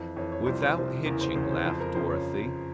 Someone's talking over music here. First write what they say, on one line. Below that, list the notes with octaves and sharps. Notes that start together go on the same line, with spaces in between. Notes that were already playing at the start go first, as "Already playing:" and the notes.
"Without hitching," laughed Dorothy.
Already playing: F2 E3 F5
F2 E3 C#5
C#5
C2 C3 F3 C5
C5
C2 C3 F3
E2 C#3 E3 A#4
C5
E2 C#3 E3 C5
C#5
C5
F2 C#3 F3 C5
A#4
F2 C#3 F3 C5
C#5